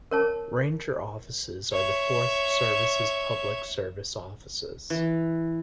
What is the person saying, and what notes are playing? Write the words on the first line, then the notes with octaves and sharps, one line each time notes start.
Ranger offices are the Forest Service's public service offices.
A#4 C#5 A5
C#5 E5
E3